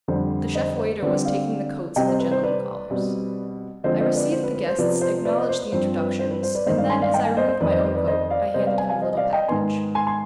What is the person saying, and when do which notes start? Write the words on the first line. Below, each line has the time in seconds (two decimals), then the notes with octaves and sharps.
The chef waiter was taking the coats of the gentlemen callers. I received the guests, acknowledged the introductions, and then, as I removed my own coat, I handed him the little package.
0.08 F2 D3 G3 C5
0.55 C5 D#5
0.78 C5
1.02 D3 G3 C4 B4 D5
1.25 D5 F5
1.96 C3 G3 C4 D#5 G5
2.08 C5 D#5
2.20 B4
2.31 C5
2.43 B4 D5
2.91 B2 G3 C4
3.84 D3 F3 G#3 C4 C5 D#5
4.00 C5 D#5
4.15 B4 D5
4.31 C5
4.43 B4
4.55 B4
4.67 C5
4.78 C3 F3 B3 B4 D5
5.01 C5
5.25 B4 D5
5.37 C5 D#5
5.49 C5
5.60 B4
5.72 G2 F3 C4 C5
5.96 B4
6.19 C5
6.31 B4
6.43 C5
6.55 B4 D5
6.66 G2 D#3 G#3 C5 D#5
6.78 D5 F5
6.90 G#5 C6
7.02 D5 F5
7.13 D#5 G5
7.25 F5 G#5
7.37 C5 D#5
7.48 C5
7.60 F2 D#3 B3 B4 D5
7.72 C5 D#5
7.84 C5
7.95 B4 D5
8.07 C5 D#5
8.31 D5 F5
8.45 D5
8.54 C3 G3 B3 C5 D#5
8.66 D5 F5
8.78 F5 G#5
8.89 F5 G#5
9.02 C5 D#5
9.13 D#5
9.17 D5 F5
9.33 D#5 G5
9.48 G#2 D#3 B3 G#5 C6
9.95 G#5 C6
10.07 G#5 C6